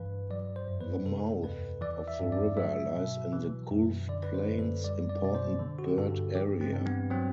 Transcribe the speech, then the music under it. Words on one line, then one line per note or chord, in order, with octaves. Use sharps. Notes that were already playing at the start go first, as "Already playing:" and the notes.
The mouth of the river lies in the Gulf Plains Important Bird Area.
Already playing: G2 E3 B4
F#3 D5
C5
F#2
B4
C3 A4
E2 B4
E3 D5
E5
G2
D5
F#3 E5
B2
E3
F#2
D3 D5
B4
C5
F#2
A4
G3 D5
D5
B2 D5
C5
D3
F#4
G4
G2 A4
E3 G4
C4
G2
B3
F#3 C4